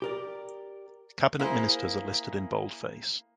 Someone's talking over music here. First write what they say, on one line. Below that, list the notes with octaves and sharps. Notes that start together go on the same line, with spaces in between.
Cabinet ministers are listed in boldface.
G4 A#4 D5
A#3 E4 G#4 C5